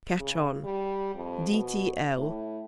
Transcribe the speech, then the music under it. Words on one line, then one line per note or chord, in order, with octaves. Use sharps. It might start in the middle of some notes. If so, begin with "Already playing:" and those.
Catch on. D.t.l.
C#3
G3
F2
B2
A2